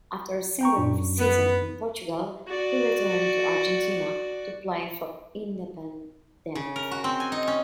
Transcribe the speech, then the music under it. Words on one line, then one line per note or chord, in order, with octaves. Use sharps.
After a single season in Portugal, he returned to Argentina to play for Independiente.
G5 A#5 C#6
F#2 A#2 D4
F#2
B3
F#4 D5
C#3
A#4
F#4
C4
G#5
D#4
C#4